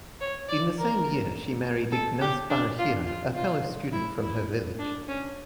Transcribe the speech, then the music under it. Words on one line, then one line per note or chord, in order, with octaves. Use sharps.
In the same year she married Ignace Barahira, a fellow student from her village.
C#5
D5
A#4
A4
G4
D4
F4
F4
F4
E4
E4
D4
C#4